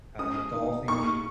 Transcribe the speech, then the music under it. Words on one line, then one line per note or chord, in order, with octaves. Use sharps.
uh, golfing,
C#4 D#6
D#4
D#4 C#6